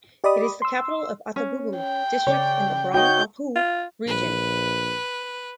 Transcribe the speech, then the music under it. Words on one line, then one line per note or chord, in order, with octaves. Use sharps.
It is the capital of Atebubu district in the Brong Ahafo Region.
G4 D5 D#5 B5 D#6
C6 E6
C#4
G5
C#3 C#4 C#5 D5
D#4 F#4 C#5 G5 G6
F4
A#1 B4